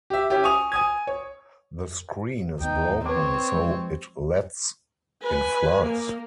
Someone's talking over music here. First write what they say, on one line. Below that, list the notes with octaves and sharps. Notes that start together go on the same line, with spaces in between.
The screen is broken so it lets in flies.
G4 E5
C#4 E4 G4
G#5 C#6 D#6 F7
G#5 D#6 G#6
C#5
D#2 B3 D#4 G5
C4 B4 C#5 D6
F3 G#3
B4 G#5
A#3